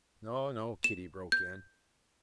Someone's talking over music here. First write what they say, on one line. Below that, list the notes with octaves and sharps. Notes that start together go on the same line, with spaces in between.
"No, no," Kitty broke in.
E7
G6